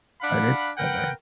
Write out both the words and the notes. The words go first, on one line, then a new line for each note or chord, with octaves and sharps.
but it's still there.
D4 F5 F#5 B5
A#4 B4 F#5 G5